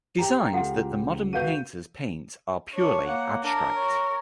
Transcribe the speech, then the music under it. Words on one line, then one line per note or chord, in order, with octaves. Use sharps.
Designs that the modern painters paint are purely abstract.
G4 A#5
C#2 F4 A4 F#5
F#4 B4 F5 G6 D#7
D4 C#5
A#3 F#5
D4 A#4
C#5